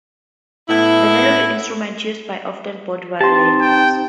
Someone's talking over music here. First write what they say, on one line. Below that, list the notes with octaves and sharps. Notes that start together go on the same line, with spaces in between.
The melody instruments used are often both violins.
A2 B3 E4
C4 D#4 G4 A5 C6
G5